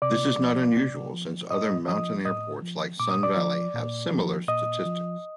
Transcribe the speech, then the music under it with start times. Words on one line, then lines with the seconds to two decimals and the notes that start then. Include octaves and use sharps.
This is not unusual since other mountain airports like Sun Valley have similar statistics.
0.02 C3 D5 D6
0.39 F3
0.76 C3
1.14 F3
1.50 A2 D#5 D#6
1.88 F3 D#5 D#6
2.25 A2 D#5 D#6
2.62 F3
3.00 A#2 D6
3.11 D#6
3.23 D5 D6
3.37 F3
3.74 A#2
4.11 F3
4.48 A#2 D#5 D#6
4.86 F3